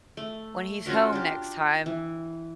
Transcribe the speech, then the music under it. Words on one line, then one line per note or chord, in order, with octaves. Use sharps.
when he's home next time.
A3
C#4 F4 F#4 A#4
D4 G4
E3